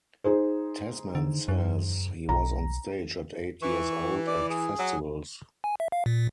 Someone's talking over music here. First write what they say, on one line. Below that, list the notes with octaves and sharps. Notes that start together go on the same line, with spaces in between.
Tasman says he was on stage at eight years old at festivals.
D#4 G#4 C5
D3
F#2
B1 A#5
E3 C#6
D5
G#4
F#3
G#5
E5
F5
A#2